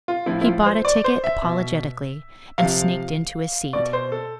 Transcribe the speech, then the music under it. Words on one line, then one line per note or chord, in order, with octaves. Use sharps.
He bought a ticket apologetically and sneaked in to his seat.
F4
A2 F3 E4
E4
F4
C5
D5
C5
E5
B2
C3 F3 F5
B2 D5
C5
A4